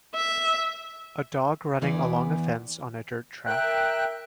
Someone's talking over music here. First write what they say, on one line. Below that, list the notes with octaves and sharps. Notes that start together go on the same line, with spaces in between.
A dog running along a fence on a dirt track.
E5
E2 E3 B3 D5
A#4 E5 G5 F#6